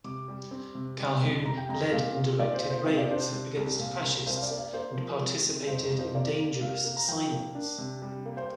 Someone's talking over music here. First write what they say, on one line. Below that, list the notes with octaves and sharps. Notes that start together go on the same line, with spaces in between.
Calhoun led and directed raids against fascists and participated in dangerous assignments.
C3 D6
G3
C4
C3
G3
F2
C3 A#5
G5
F2 A#5
A#2 F5
F4
A#2 D5
C5
F4
C5
C3 C5
D5
D4 C5
C3
C2
A#2 F5
C2
C2 C5
F5
D5
A#3
D5
A#3 C5
F3
C3
C3
F2 C5
A#4
F2
C5
A#3 D5
A#3
C3 F5
A#3
A#5
F3 G5
A#3
D4
C3
G3
A#3
C5